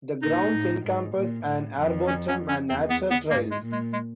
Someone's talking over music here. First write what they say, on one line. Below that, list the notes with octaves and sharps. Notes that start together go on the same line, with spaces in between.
The grounds encompass an arboretum and nature trails.
A#2 D#4
A2
G#2
A#2
A2
F2
C#4
C#4
C#4
E2 C4
B3
B3
G#2 A#3
G#3
A#2
G#3
G#3